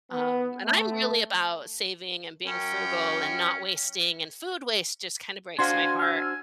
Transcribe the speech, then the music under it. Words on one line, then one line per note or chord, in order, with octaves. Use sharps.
Um, and I'm really about saving, and being frugal, and not wasting, and food waste just, kind of, breaks my heart.
B3
A3
F#2 C#4 G5
D4 F#4 C5 F5 F#5 G#5 C6
G#5 E6 F6